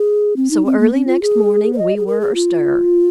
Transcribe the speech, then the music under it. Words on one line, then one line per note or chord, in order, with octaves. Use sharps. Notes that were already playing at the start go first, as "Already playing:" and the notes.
So early next morning we were astir.
Already playing: G#4
C4
D#4
C4
A#3
C4
F4
G#4
C5
D#5
G#4
A#4
G#4
F4